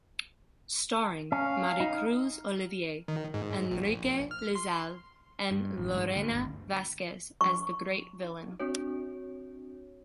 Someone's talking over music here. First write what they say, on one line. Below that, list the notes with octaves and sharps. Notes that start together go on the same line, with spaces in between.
Starring Maricruz Olivier, Enrique Lizalde and Lorena Velázquez as the great villain.
C#4 F5
D#4
D#3
G#2
A#1
F6
C6
G2
A1
G#2
D2
G1
C#6
C4 D4 F#4 C#5